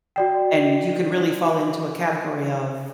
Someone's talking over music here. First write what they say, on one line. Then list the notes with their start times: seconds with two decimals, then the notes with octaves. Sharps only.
And you can really fall into a category of,
0.16 F#4 D5 G5